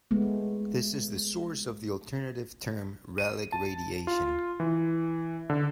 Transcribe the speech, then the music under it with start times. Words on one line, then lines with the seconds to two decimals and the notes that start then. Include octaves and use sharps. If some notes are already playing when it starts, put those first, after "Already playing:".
This is the source of the alternative term "relic radiation".
0.11 G#3 A3 B3
3.18 D#7
3.52 A5
4.07 F4
4.60 E3
5.50 D3